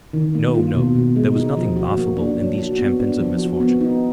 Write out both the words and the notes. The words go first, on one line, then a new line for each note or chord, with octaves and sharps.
No, no; there was nothing laughable in these champions of misfortune.
D#3
A#3
F4
B2
B2
G#3
D#4
F3
F#4
A#3
D4
F#3
F#4
B3
D4
F3
F#4
B3
D#4